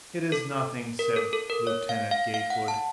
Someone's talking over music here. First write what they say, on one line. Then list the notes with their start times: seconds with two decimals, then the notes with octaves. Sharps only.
"It is nothing," said Lieutenant Gatewood.
0.32 A4
0.99 A#4
1.16 A4
1.33 A4
1.50 A#4
1.67 C#5
1.89 F5
2.11 F5
2.34 F5
2.50 F#5
2.68 A5